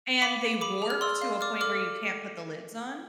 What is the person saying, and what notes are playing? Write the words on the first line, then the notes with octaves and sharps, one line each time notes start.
and, they warp to a point where you can't put the lids on.
F5 B5 D6
F5
G#4 B5 D6
G#4
F6
D5 C6 E6
F5
D5 D6 F6
A4 D6 F6